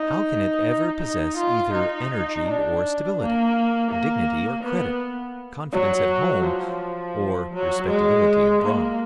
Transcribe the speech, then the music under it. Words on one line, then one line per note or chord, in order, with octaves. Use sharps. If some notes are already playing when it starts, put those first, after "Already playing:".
How can it ever possess either energy or stability, dignity or credit, confidence at home or respectability abroad?
Already playing: D#4
D#4
F4
D#4
D4
A#3
A#3
B3
F#3
F3
F#3
G#3
A#3